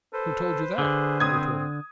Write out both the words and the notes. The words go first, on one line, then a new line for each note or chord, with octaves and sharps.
"Who told you that?" he retorted.
A4 B4 C5
D3 G#4
C4 D#6 G#6